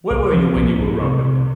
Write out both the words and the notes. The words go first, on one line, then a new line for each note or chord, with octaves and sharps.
"Where were you when you were robbed of it?"
C2
F3
C2
C2
C3
C3